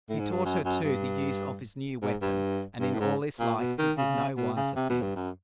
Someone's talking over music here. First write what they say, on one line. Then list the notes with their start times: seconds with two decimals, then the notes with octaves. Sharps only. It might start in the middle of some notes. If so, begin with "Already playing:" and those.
He taught her, too, the use of his new weapon, and in all his life he did no wiser thing!
0.10 A2
0.19 G#2
0.32 G2
0.45 F#2
0.65 F#2
0.84 G2
2.02 G#2
2.22 G2
2.80 G2
2.94 A2
3.00 G#2
3.39 A#2
3.59 B2
3.78 D#3
3.98 C#3
4.37 B2
4.57 C#3
4.76 C3
4.90 B2
5.02 G2
5.16 F#2